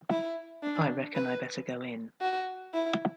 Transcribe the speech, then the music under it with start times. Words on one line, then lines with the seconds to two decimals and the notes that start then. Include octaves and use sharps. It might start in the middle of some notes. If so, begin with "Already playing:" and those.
I reckon I better go in.
0.10 E4
0.63 D4
1.15 B4
2.21 F#4
2.74 E4